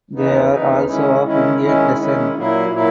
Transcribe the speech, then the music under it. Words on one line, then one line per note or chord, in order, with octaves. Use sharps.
They are also of Indian descent.
D#2 C#3 E3 B3 D#4
D#2 C#3 E3 B3 D#4
D#3 G#3 C#4 E4
D#3 G#3 C#4 E4
D#3 G#3 C#4 E4
D#3 G#3 C#4 E4
A#2 F#3 A#3 E4
A#2 F#3 A#3 E4